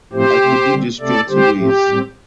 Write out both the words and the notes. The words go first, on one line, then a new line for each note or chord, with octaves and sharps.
I could do this twenty ways.
A2 F3 A3 C4 G4 C5
C3 A3 C4
D3 G3 C4
C3 A3 C4 A4 D5
D3 G3 C4 G4 C5
A2 F3 A3 C4 G4
A2 G3 C4